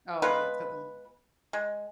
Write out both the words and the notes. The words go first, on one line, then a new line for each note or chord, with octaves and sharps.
Oh yeah, to them
G#3 B3 F4 B4
G#3